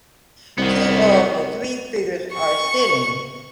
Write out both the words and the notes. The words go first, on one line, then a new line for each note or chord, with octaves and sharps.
Two of the three figures are sitting.
C2 D#3 B3
C#6